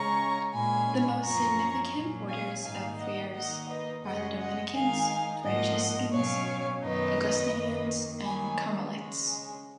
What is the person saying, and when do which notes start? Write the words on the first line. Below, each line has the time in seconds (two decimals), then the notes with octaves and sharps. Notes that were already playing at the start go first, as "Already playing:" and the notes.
The most significant orders of friars are the Dominicans, Franciscans, Augustinians and Carmelites.
Already playing: C#3 G#3 C#4 A#5 C#6
0.53 A#2 G#3 C#4 G#5 B5
1.23 F#2 F3 A#3 C#4 A#5 C#6
1.93 A#2 F#3 C#4
2.28 F5 G#5
2.63 G#2 D#3 A#3 D#4 F5 G#5
2.98 D#5 F#5
3.33 D#3 A#3 D#4 D#5 F#5
3.68 B4 D#5
4.03 F#2 C#3 G#3 D#5 F#5
4.39 D#5 F#5
4.73 D#3 G#3 D#4 F5 G#5
5.43 G#2 F3 A#3 D#5 F#5
6.13 B2 F#3 C#4 C#5 F5
6.83 F#2 D#3 F#3 B3 D#4 B4 D#5
7.53 F#2 D#3 A#3
8.23 D#3 F#3 A#3 D#4 G#5 B5
8.94 C#3 G#3 C#4